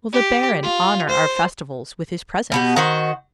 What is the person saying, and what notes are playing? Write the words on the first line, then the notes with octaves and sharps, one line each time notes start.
"Will the Baron honor our festivals with his presence?"
G4
F4
C5
B2 B3 G4
D#3 F#4 C5